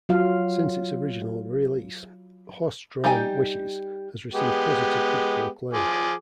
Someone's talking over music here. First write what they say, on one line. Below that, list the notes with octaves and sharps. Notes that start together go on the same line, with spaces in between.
Since its original release, "Horsedrawn Wishes" has received positive critical acclaim.
F#3 F4 F5
G3 D#4 G4 G5 G#5
G#3 B3 G4
F3 G#4 D6